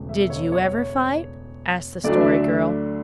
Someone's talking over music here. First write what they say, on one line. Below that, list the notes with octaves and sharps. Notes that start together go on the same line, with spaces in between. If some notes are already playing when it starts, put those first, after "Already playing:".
"Did you ever fight?" asked the Story Girl.
Already playing: E1 D2 C#3 A3
E5
C#5
C#5
D2 D3 F#3 A3 D4 D5
E5